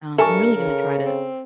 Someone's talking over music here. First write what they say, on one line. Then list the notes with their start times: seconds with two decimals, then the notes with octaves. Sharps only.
Um, I'm really gonna try to
0.18 G2 A4 A#4 E5 G#5 C#6
0.56 C#3
1.05 C4